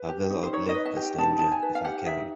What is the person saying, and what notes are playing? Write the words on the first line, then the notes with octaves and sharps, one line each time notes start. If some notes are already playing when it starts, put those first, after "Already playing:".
I will outlive this danger, if I can.
Already playing: B4
G4
D#4
C5
D#4 C#5
D#5
B4
E5
G4
G5
D#4 A5
D#4 A5
G#5
B4
F5
G4 F#5
D#4 E5